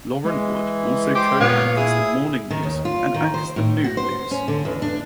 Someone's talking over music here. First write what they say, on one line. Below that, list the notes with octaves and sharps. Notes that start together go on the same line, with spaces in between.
Lauren Wood also co-anchors the morning news and anchors the Noon news.
E3 G#3
G4 C5 D6
A#2 B3 C#5 F5
E4 G#4 D#6
D#3
D#2
F4
D#3
C5
A2
F#4
C5
C#4
D3
E2
D4